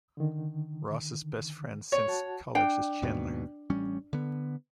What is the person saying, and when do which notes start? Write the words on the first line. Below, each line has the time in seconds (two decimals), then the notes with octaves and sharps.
Ross's best friend since college is Chandler.
0.17 D3 D#3
1.92 C#5
2.08 F#4 F#5 A5
2.55 D4 G5
3.02 D#2 G#2 B2
3.70 A1 G3 C#4
4.13 D3 B3